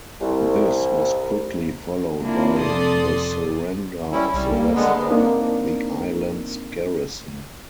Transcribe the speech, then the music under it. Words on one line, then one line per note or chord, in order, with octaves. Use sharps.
This was quickly followed by the surrender of the rest of the island's garrison.
C2
A#3 C4 D4 E4 F4
F2 C3 A4 D5 C6 D#6
G3 C#4 E4
C2 G3
A#3
D3 G#3 B3
A#3 C4 D4 D#4 A#4